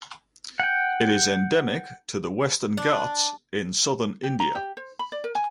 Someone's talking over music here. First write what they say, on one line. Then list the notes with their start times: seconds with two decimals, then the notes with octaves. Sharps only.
It is endemic to the Western Ghats in southern India.
0.60 F#5 G5
2.77 D4
4.23 G4
4.40 A#5
4.55 G4
4.77 C5
4.99 B5
5.12 D5
5.24 A#4
5.35 G#5